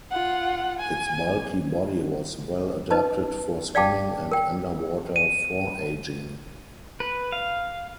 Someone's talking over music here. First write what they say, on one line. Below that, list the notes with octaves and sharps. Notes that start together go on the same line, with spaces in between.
Its bulky body was well adapted for swimming and underwater foraging.
F4 F#5
G#5
D#4 B4 D#5 A5
D5 F5 G5 A5 D6
A#4 G5
D#7
B4
F5